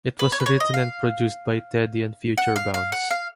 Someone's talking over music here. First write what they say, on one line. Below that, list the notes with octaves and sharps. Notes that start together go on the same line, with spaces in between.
It was written and produced by Teddy and Future Bounce.
B4
C#5
B4
C#5
D#5
F5
F#5
F5
F5
F#5
F5